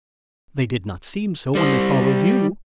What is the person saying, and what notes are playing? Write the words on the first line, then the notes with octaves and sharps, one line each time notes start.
"They did not seem so when they followed you."
G3 C5